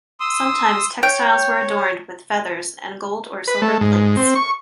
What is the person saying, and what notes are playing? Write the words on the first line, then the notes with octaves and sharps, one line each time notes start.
Sometimes textiles were adorned with feathers and gold or silver plates.
C6 D#6 E6
C#5 G5
B4
A3
G#2
C4
C#6